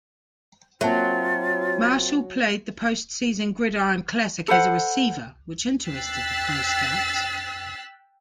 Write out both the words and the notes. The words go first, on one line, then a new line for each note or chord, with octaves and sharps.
Marshall played the post-season Gridiron Classic as a receiver, which interested the pro scouts.
F#3 A#3 C4 F4 E5 A5
A4 B4 C5 F#5
G5 E6 F#6 A6 B6 C7